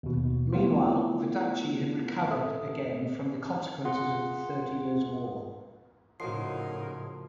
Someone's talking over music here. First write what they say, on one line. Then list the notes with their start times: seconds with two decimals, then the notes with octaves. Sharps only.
Meanwhile, the duchy had recovered again from the consequences of the Thirty Years' War.
0.03 D#2 B2
0.53 A3 B3 E4 F4
2.30 A4 E5 D#6
3.85 F4 G#4 F#5 C6
6.20 A2 C#3 F3 F#3 D#4 F#4 A#4 C7